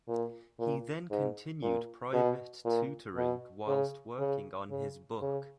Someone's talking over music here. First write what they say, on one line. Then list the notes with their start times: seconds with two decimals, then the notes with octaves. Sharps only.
He then continued private tutoring whilst working on his book.
0.08 A#2
0.59 A#2
1.10 G#2
1.62 A#2
2.14 B2
2.65 A#2
3.16 B2
3.68 C#3
4.19 C#3
4.70 C#3
5.22 C#3